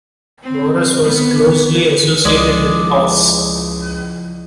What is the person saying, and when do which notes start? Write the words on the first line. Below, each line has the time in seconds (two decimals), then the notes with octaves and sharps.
Boreas was closely associated with horses.
0.43 C4
1.04 B3
2.25 C#2 F3 G#3 E4 F4 D5 D#5